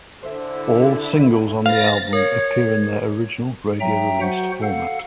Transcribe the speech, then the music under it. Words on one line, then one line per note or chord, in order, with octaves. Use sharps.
All "singles" on the album appear in their original radio released format.
D3 E4 C5 E5 G#5
B4 C5 F5 A6 A#6
A#4 C#5
F#3 E5 G5 A#5
F#4 C5 F#5
A4 F5 F#5